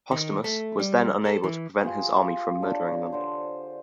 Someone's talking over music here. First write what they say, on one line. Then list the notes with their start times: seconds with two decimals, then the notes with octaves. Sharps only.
Postumus was then unable to prevent his army from murdering them.
0.11 D#3
0.44 A3
0.79 G3
1.25 A4
1.44 E3
1.83 F4 G4 G#4
2.62 D4 C#5
3.12 D3 C5